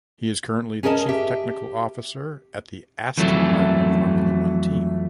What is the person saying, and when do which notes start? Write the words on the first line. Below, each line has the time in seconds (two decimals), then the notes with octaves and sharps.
He is currently the chief technical officer at the Aston Martin Formula One team.
0.83 C#4 G#4 A#4 C#5 D#5 A5
1.09 G4 E5
3.18 F2 E3 F#3 A3